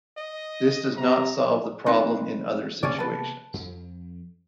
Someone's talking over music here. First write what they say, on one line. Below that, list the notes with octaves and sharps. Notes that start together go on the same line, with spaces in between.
This does not solve the problem in other situations.
D#5
C3 A#5
A3 C4 D#4 F4 B4
C3 A#3 B3 C#4 C#5 D5
B4 A5
F2